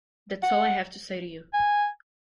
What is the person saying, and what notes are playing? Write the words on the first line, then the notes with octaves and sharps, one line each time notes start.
That's all I have to say to you!
F#5
G#5